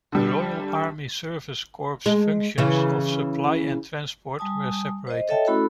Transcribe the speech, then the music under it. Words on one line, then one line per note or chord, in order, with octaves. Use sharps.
The Royal Army Service Corps' functions of supply and transport were separated.
D3 G3
G#3
C#3 E3
G3 G#5 A5 D#6
C5 D#5
A4 C#5 D#5 E5 G5 A5
A3 C#4 E4 F#4 A4 B5